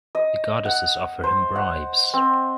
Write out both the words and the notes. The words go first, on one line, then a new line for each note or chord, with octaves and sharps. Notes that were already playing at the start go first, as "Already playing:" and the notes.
The goddesses offer him bribes.
D#5
F#5
C5
F#5
C4